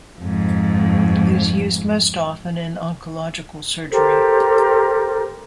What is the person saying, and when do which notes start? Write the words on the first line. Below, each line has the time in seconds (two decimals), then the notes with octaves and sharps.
It is used most often in oncological surgery.
0.20 F2 G#2
3.90 G4 A4 A#4 C5